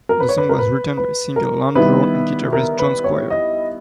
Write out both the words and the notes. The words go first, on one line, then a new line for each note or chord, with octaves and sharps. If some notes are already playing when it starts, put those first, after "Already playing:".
The song was written by singer Ian Brown and guitarist John Squire.
A#4
B4
C#5
B4
A#4
B4
B4
A#4
D#3 G3 B3 E4 B4
A#4
B4
C#5
D#5